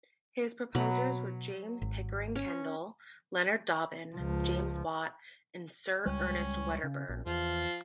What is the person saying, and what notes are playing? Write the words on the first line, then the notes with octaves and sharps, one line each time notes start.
His proposers were James Pickering Kendall, Leonard Dobbin, James Watt, and Sir Ernest Wedderburn.
B2 F#3 B5
G#1
C#4
C#2 F3
C#2 G3 G#3 C#4
C#3
A#1
E2 F3 F4